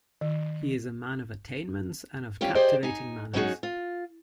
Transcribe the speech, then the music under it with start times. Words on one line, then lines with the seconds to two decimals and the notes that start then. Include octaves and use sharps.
He is a man of attainments and of captivating manners.
0.21 D#3
2.41 F2 G3 C#4 F4 G4
2.55 G4 G#4 C5 D5 D#5
2.83 D#4 G#5
3.33 F#3 G#3 C#4 D#4 F#4 G#4
3.63 F4